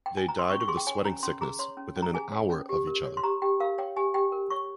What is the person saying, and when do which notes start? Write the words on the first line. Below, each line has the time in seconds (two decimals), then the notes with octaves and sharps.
They died of the sweating sickness within an hour of each other.
0.06 G5
0.17 G#5
0.29 A#5
0.39 C6
0.49 C#4 C#6
0.61 C#6
0.68 G#4 C6
0.77 G5
0.87 C#5 G#5
1.05 C#4 A#5
1.23 C#4 C6
1.41 G#4 A#5
1.59 C#5 C6
1.77 C#4
1.96 C#4
2.02 A#5
2.14 G#4 G#5
2.32 C#5
2.50 C#4
2.69 G4
2.87 A#4
3.05 C#5
3.17 C6
3.23 G4 A#5
3.42 G4 G5
3.60 A#4 F5
3.78 C#5 G5
3.96 G4 G#5
4.14 G4 G5
4.32 A#4
4.50 C#5 C#6